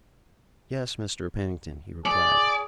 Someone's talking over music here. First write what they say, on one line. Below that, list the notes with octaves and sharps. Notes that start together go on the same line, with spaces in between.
"Yes, Mr. Pennington," he replied.
G#4 D5